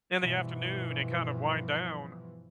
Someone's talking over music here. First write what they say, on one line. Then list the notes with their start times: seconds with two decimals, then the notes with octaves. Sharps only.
in the afternoon and kind of wind down
0.20 G2 B2 E3 F3